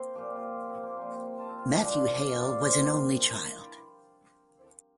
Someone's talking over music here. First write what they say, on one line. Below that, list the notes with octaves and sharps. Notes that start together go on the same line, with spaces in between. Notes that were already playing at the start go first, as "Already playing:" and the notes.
Matthew Hale was an only child.
Already playing: A#3 C4 C5
A#2 F3 G4
F4
C4
A#3
A#2 F3 C4
F4
C4
F4
G4
G2 D3 F3
C5
D5
F5
D5
A#2 F3 C5
G4